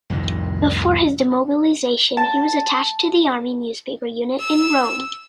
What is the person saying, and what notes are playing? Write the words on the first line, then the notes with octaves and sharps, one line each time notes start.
Before his demobilisation he was attached to the Army Newspaper Unit in Rome.
C2 F2 A2 D#3
A5
E6